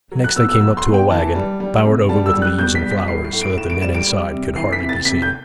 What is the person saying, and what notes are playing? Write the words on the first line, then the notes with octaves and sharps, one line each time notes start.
Next they came up to a waggon, bowered over with leaves and flowers, so that the men inside could hardly be seen.
F#3
F#6
B2 E6
E6
F#3 E6
C6
B2
G5
E3 A5
G3
G3
C3
G3 A5
E6
G3
F#6
B2 G6
B6
G3
B6
A2 C7
C7
A2
D7
A2 E7
D7
G3 E7
D7
G3
C3
E3 C7
B6
C3
A6
C3 B6
G6